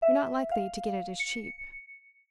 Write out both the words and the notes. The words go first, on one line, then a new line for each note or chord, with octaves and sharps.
You're not likely to get it as cheap.'
E5
F5
C#7